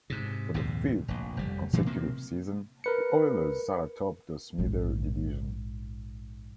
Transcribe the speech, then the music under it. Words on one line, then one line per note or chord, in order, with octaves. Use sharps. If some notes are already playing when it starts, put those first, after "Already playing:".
For the fifth consecutive season, the Oilers sat atop the Smythe Division.
G#2 C3
A#1 D#2 G#2 C3
F1 A#1
F1 G3
A#2 E3 A3 C4
C3 A#3 C4
A#4 B4 C#7
A#1 G#2